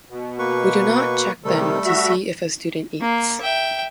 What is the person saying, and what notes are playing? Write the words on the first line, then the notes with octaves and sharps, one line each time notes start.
We do not check them to see if a student eats.
B2
A#3 B4 C#6
C3 D#3 G3 A3 A4
F#4 E5
A#3
E5 G5